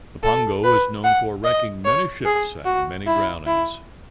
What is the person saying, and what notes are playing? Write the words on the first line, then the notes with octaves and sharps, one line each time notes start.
The pongo is known for wrecking many ships and many drownings.
A4
B4
F#5
D#5
C#5
G#4
F#4
E4
E4